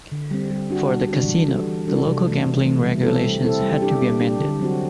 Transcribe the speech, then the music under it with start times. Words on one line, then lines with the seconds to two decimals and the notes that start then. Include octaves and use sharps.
For the casino, the local gambling regulations had to be amended.
0.12 D3
0.31 G3 C4
0.51 G3
0.70 D4 F#4
0.90 G3
1.09 D4 F#4
1.29 E3
1.48 G3 D4 F#4 A4
1.67 E3
1.88 G3 D4 F#4 A4
2.07 C3
2.26 E3 A3
2.46 C3
2.65 E3 A3
2.85 G3
3.03 C4 E4 A4
3.24 G3
3.42 C4 E4 A4
3.62 G3
3.82 D4 G4
4.01 G3
4.20 D4 G4
4.40 D3
4.60 F#3 C4 F#4